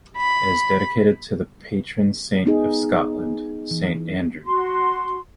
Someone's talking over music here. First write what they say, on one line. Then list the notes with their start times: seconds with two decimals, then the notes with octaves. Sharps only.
It is dedicated to the patron saint of Scotland, Saint Andrew.
0.17 B5
2.45 B3 D#4 G#4
3.71 E3
4.44 F#4 C6